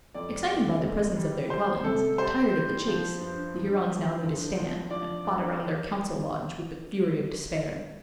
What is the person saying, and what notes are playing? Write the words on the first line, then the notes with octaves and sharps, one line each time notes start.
Excited by the presence of their dwellings, and tired of the chase, the Hurons now made a stand, and fought around their council-lodge with the fury of despair.
F2 D5
F2
F2
G3
G3 C5
C3 A4
G3 C5
G3
F3
G2
G2
F3
G2
F3
F3 D5
G2